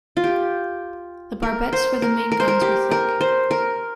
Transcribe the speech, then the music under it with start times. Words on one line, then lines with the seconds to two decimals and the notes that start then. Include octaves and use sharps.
The barbettes for the main guns were thick.
0.17 F4
0.24 G4
1.43 A#4
1.73 C5
2.02 A#4
2.32 A#4
2.40 C5
2.48 A#4
2.62 G4
2.91 A#4
3.21 C5
3.51 A#4